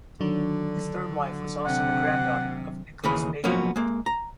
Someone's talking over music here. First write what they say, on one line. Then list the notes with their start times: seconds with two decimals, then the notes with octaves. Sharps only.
His third wife also was the granddaughter of Nicholas Bacon.
0.21 D3 D#3 F#3 D4
1.66 C3 F#5
3.04 D#2 C#3 E3 G#4 B5
3.44 F3 F#3 A#3 B3 C#4
3.76 G#3 A#3
4.06 A#5